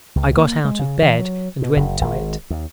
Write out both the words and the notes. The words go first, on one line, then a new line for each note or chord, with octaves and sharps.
I got out of bed and went to it.
C#2
A#3
G#3
C#3
E3
F#3
B2
F#1
G#1
D#2